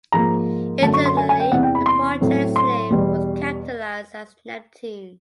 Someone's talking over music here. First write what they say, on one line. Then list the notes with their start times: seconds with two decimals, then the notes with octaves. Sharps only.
Internally, the project's name was capitalized as NepTune.
0.12 G#2 F3 A#3 A#5
0.82 F#2 D3 F#3 A5
0.94 C#6
1.06 C6
1.17 G#5
1.29 G#5
1.40 G5
1.52 E2 C3 E3 F#5
1.63 G5
1.75 B5
1.86 C6
2.21 A2 F#3 A3 C4
2.56 C6
2.90 E2 B2 G3